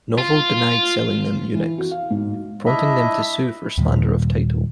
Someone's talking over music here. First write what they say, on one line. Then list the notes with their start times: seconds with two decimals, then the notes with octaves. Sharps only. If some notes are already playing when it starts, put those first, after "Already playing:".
Novell denied selling them Unix, prompting them to sue for slander of title.
0.18 F4
1.55 E3
1.78 F#4
1.91 F5
2.11 G#2
2.66 D4 E4 D#5 E5
3.77 D#2 A#2 D#3 G3